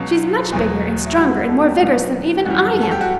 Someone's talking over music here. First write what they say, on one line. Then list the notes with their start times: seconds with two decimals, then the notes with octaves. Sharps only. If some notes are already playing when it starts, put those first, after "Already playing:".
She's much bigger and stronger and more vigorous than even I am.
Already playing: C#2 B2 F#3
0.52 E2 B2 F#3
1.06 E4
1.16 D2 D3 G3 F#4
1.33 B4
1.49 A4
1.66 G4
1.81 C#2 B2 F#3
2.45 F#2 E3 G3 F#4
2.81 A4
2.91 G4
3.01 F#4